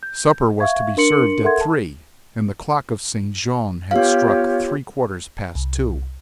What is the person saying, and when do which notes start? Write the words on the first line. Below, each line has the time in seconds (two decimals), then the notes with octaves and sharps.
Supper was to be served at three, and the clock of St. Jean had struck three quarters past two.
0.03 G6
0.60 E5 F5 C#6 G#6
0.97 D4 A#4 C6 C#7 F#7
1.43 A4 A#4 E5 F#5 C6 G#6
1.61 A5
3.91 B3 F4 G4 C#5 F5
5.55 C2